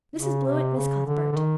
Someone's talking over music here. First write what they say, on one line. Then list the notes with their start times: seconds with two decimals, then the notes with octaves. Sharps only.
Mrs. Blewett, Miss Cuthbert.
0.16 C#3
0.46 C3
0.77 C#3
1.06 D3
1.32 D3
1.37 D#3